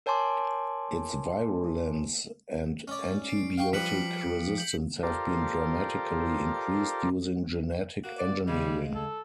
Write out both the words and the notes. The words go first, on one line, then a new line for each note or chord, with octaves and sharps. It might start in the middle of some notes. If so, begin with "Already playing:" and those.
Its virulence and antibiotic resistance have been dramatically increased using genetic engineering.
A#4 C#5 G#5 A5 C6 D6
C#4 D5
C7 D7
F5 G5 C#6
F3 G3 B4 B6 C#7 F#7
G6 F#7
F4 G4 A4 A#4 C5 D5
A#3 F#4
D5
C#3 G3 G#3
A4